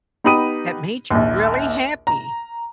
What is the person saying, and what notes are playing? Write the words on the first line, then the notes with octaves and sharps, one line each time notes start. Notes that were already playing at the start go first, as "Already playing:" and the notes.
that made you really happy?
B3 D#4 G4 B5 D#6 D#7
A#1 D#2
A#5